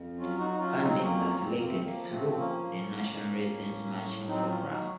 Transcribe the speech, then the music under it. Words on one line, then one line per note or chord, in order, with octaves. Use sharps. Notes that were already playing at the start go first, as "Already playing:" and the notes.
Candidates are selected through the National Residency Matching Program.
Already playing: F2
F#3 C#4 F4
D#4 F#4
D#4
F#3 C#4 F4
C4 D#4
F2 A#3 C#4
F2 C4
A#3
A3 C4
F3 A#3
A3 C4
F3 C4
A#3 C#4
A2
A2
A2
A2
F#3 C4 D#4
C#4 F4
F4
F#3 D#4 F#4